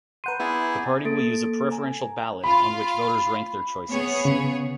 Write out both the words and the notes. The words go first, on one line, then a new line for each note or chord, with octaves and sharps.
The party will use a preferential ballot on which voters rank their choices.
B4 F#5 A#5 C6 G6 D#7
B3 E4 G#4 D5
A#3 A4 A6 D7
G#5 A#5
F4 F5 B5
B3 G#4 C#5
C#3